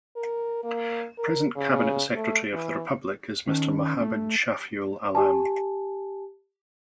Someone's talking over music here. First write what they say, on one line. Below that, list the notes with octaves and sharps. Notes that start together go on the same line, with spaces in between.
Present Cabinet Secretary of the Republic is Mr. Mohammad Shafiul Alam.
A#4
A#3
A#4
C#3
A3
E3
D#3 C#4 A5
A3
G4 G#5 A5